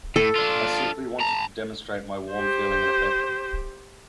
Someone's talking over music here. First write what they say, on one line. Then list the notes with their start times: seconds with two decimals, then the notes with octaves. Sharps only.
I simply wanted to demonstrate my warm feeling and affection.
0.16 A2 A4
0.35 D4 F4
1.21 A5 A#5
2.32 G4 C5